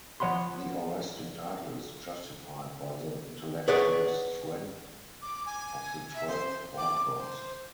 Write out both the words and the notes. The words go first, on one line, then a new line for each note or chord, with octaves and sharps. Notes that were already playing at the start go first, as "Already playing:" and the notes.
The arresting title is justified by the intellectual strength of the twelve authors.
F3 C#5 F#5 B5 C6
G#4 B4 C#5 D5 F#5
D6
G#5
E5
C5
D6
C5